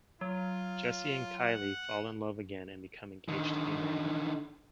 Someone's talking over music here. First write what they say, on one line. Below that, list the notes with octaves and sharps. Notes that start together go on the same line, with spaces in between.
Jesse and Kylie fall in love again and become engaged to be married.
F#3 F4
F#5
D3 D#3